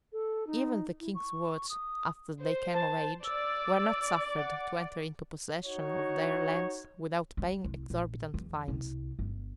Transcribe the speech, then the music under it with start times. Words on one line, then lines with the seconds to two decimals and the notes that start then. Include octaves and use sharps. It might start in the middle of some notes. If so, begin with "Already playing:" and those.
Even the king's wards, after they came of age, were not suffered to enter into possession of their lands without paying exorbitant fines.
0.13 A4
0.47 D#4
1.00 E4
1.15 C#6
1.70 D#6
2.43 C5
2.74 A5
3.24 D5 E6
4.36 F#5
5.65 D#4 F#4 C#5
7.37 G3
7.64 C2
7.90 A#1
8.34 E2
8.68 C2
9.19 G1